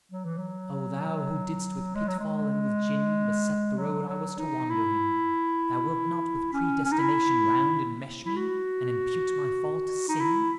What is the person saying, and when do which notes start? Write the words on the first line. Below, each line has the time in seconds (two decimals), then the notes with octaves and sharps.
Oh Thou who didst with Pitfall and with Gin Beset the Road I was to wander in, Thou wilt not with Predestination round Enmesh me, and impute my Fall to Sin?
0.12 F#3
0.25 E3
0.38 F#3
1.95 G#3
2.08 F#3
2.20 G#3
3.78 F#3
4.09 F#3
4.39 D#4
4.70 E4
6.53 C#4
6.85 C#4
6.92 D#4
6.99 E4
8.26 E4
8.36 F#4
10.09 D#4
10.20 E4